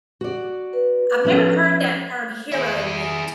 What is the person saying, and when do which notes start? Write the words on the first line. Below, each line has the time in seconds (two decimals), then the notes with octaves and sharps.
I've never heard that term "hero meat."
0.21 F#4 D5
0.73 B4
1.24 F3 B3 C#4
2.52 E4 G#4